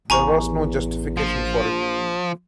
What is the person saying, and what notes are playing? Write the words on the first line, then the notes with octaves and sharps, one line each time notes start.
There was no justification for it.
A1 E2 G#5 A#5 C#6
A#1 F3